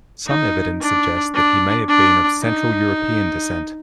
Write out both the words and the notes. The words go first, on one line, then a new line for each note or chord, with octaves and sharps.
Some evidence suggests that he may have been of central European descent.
D#4
D4
D4
D4
D#4